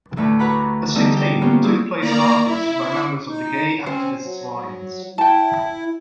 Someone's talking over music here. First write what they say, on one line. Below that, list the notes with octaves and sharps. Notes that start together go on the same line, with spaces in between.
A sit-in took place at "Harper's" by members of the Gay Activists Alliance.
D2 A2 B4 D6
F#4 B4 F#5 A#5 B5
D3 E3 G3 B3 D4 D#4
D5 G5
A#3 B3 C#4 F4 G4 C5
F#3 G3 C4 E4 G#4
A#3 D5 A#5
E4
D#4
C4 C#4 C5
F#3
E4 G5 A5